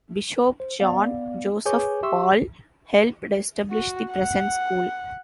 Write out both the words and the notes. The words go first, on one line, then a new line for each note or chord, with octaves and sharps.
Bishop John Joseph Paul helped establish the present school.
C5
B3 D5 F5
G#4 B4 C#5 G#5 D6 G6
G4 E5 C6 C#6 E6
F#4
F#5